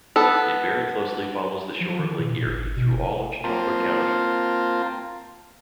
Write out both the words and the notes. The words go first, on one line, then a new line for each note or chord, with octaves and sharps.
It very closely follows the shore of Lake Erie through all of Chautauqua County.
B3 A4
F3
D#3
A#2
A#2
G1
G#1
B2
F#1
A#3 C4 F4 A5